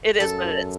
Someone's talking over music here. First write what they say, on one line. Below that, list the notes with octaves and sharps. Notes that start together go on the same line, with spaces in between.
It is what it is.
F#2 A4